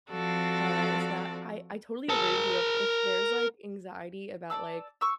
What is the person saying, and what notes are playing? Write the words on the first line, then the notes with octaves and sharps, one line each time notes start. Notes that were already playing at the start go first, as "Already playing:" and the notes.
uh, it's not I I totally agree with you, if there's, like, anxiety about, like,
F3 C4 F#4 A4 D5
A#4 A5
D5 F5 A5 E6
C#6 E6